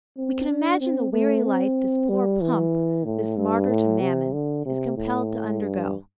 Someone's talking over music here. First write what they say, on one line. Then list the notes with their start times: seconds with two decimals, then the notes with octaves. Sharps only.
We can imagine the weary life this poor Pump, this martyr to Mammon, is compelled to undergo.
0.17 C4
0.49 D4
0.81 C4
1.13 A3
1.45 C4
2.09 G3
2.41 E3
3.05 A2
3.37 G2
3.69 A2
4.01 C3
4.33 D3
4.66 C3
4.97 A2
5.62 G2